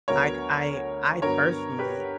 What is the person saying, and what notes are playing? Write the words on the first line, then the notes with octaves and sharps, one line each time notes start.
I ca I I personally,
D2 D3 F#3 B3 A#4 C#5
G2 D3 F#3 B3 A#4 C#5
G4 B4